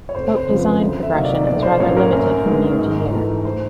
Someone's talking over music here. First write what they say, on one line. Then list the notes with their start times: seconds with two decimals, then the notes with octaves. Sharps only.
Boat design progression is rather limited year to year.
0.09 C#5
0.15 F1 C5
0.36 C5
0.48 F2 C#3 F3
0.59 B4
0.80 D2
1.03 E5
1.13 C3 D#3 F#3 A#3 D#5
1.25 D5
1.46 B1 D5
1.63 C5
1.80 A2 F#3 A#3 C#4 C#5
1.97 A#4
2.13 F#2
2.46 D#3 G#3 B3
2.79 G#2
3.11 E3 A3
3.45 C5